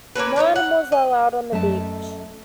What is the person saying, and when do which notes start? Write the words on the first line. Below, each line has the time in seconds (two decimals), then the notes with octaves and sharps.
No animals are allowed on the beach.
0.16 A#3 C#4 A4 B4
0.36 D4 D#4 C#5 D#5
0.56 F#5
0.92 D#5
1.52 F#2 A3 D#5 E5 A5